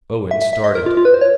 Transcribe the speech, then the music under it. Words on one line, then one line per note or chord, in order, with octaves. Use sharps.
Owen started.
E5
E5
E5
D#5
A#4
F4
F4
B4
C5
C#5